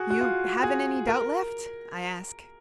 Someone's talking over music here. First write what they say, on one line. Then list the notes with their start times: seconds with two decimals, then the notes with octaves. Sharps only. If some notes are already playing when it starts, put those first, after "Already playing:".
"You haven't any doubt left?" I ask.
Already playing: F#4 G#4
0.10 F#4
0.21 F4
0.63 G#4
1.07 A#4